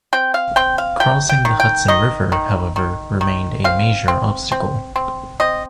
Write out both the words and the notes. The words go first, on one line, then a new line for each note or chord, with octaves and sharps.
Crossing the Hudson River, however, remained a major obstacle.
C4 G5
F5
C4 G5
F5
C3 G5
G5
D#3
G5
D#3 D#5
D#3
D#3
D#3
C4 F5
C4
C4
C4
C4 D#5